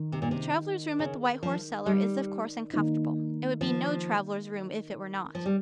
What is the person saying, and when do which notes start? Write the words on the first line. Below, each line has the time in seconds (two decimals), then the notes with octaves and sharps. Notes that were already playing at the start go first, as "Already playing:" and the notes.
The travellers' room at the White Horse Cellar is of course uncomfortable; it would be no travellers' room if it were not.
Already playing: D#3
0.12 C3
0.22 A#2
0.31 C3
0.99 C#3
1.43 F3
1.86 G3
2.73 D#3 A#3 D#4
3.61 F3
5.35 F3
5.46 G3